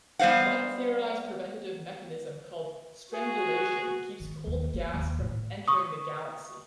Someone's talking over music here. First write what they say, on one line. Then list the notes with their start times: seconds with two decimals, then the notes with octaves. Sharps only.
One theorized preventive mechanism called "strangulation" keeps cold gas from entering the galaxy.
0.19 G3 B3 C5 F5 F#5
3.14 F#4 G#4
4.20 D#3
4.47 D#2
4.74 A#3
4.94 D#2
5.19 A2
5.68 C#6 D#6